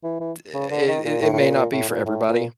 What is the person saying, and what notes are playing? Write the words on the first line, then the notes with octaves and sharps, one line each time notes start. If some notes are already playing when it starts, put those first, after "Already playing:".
it it it may not be for everybody.
E3
E3
C#3
D3
D#3
A#2
A2
A2
A#2
A#2
A2
A#2
A2
A#2